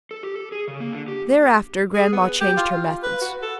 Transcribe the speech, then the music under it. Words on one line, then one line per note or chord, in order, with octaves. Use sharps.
Thereafter grandma changed her methods.
A4
G4
A4
G#4
C#3
A#3
D3
G4
G#4
B3
G4
F4
F4
B4
F#4
A4